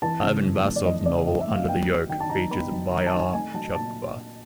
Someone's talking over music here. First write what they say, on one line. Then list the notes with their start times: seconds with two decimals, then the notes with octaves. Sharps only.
Ivan Vazov's novel "Under the Yoke" features Byala Cherkva.
0.02 E3 A5
0.23 C#3
0.43 F2
0.64 A3
0.76 D5
0.85 E3 D#5
1.06 C#3 D5
1.27 F2 D#5
1.40 E5
1.47 A3
1.54 F5
1.68 B3 G5
1.88 F#3
2.09 D#3 G5
2.20 A5
2.30 D#4 A#5
2.51 B3 B5
2.71 F#3
2.91 D#3 A#5
3.06 A5
3.13 D#4
3.20 G#5
3.33 A3 G#5
3.54 F#3 A5
3.75 A#2 A5